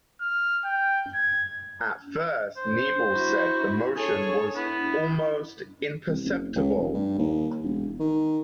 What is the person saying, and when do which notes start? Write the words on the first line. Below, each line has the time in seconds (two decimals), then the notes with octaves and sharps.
At first Nebel said the motion was almost imperceptible.
0.21 F6
0.65 G5
1.15 G#6
2.57 C5
3.12 E4 F#4
3.96 G#4 A4 C#5
4.55 B3 E4
6.09 C2
6.25 F#1
6.55 C#2
6.75 F1
6.94 G2
7.18 D#2
7.64 E1
7.99 D#3